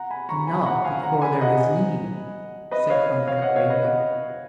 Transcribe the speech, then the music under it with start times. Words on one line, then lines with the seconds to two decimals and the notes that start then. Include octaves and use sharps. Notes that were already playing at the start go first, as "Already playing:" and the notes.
"And not before there is need," said Cronaca, gravely.
Already playing: F#5 A#5
0.10 G#5 B5
0.29 A#5 C#6
0.47 G#5 B5
0.66 F#5 A#5
0.84 F5 G#5
1.03 F#5 A#5
1.22 G#5 B5
1.41 D#5 F#5
2.71 B4 D#5
2.90 C#5 F5
3.27 C#5 F5
3.42 D#5 F#5
3.56 C#5 F5
3.70 B4 D#5
3.84 D#5 F#5